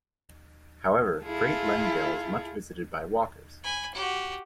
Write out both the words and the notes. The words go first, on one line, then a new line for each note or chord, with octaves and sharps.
However, Great Langdale is much visited by walkers.
E4 F4 G#4 A4
G#5 B5
F#4 G4